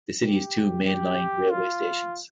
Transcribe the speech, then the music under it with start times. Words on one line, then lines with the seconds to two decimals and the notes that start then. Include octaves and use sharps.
The city has two main line railway stations.
0.22 G4
0.86 G4
1.50 F4